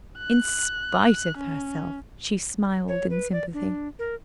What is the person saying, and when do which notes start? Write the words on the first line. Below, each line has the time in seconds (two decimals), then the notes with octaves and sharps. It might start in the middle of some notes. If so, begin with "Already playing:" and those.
In spite of herself, she smiled in sympathy.
0.19 F#6
1.37 C#4
2.88 C#5
3.10 B4
3.32 D5
3.54 D4
3.99 A#4